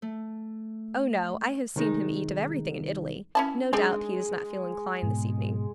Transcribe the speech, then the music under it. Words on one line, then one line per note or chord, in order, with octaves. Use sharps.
"Oh, no; I have seen him eat of everything in Italy; no doubt he does not feel inclined this evening."
A3
C2 D#3 G#3 D#4
C#4 E4 A5
G#3 C4 D4 D#4
G#2 B2